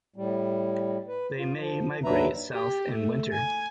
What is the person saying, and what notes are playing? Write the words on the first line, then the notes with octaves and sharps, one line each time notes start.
They may migrate south in winter.
A2 G3
B4
F4
F3
D#2 F#3 D4 B4 E5 A#5
G4
A3
G#5